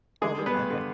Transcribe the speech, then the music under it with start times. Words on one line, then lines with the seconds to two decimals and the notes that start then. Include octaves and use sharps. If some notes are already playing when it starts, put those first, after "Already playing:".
Oh, really? Okay.
0.22 D3 G#3 G#4
0.38 G3
0.46 B3 B4
0.54 G2
0.70 D3